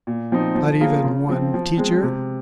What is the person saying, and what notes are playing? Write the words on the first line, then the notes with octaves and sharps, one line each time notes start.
"Not even one teacher?"
A#2
F3 C4 D#4
F3
A#3 F4 G#4
C#3
F3 C4
F3
G#3 C4
C3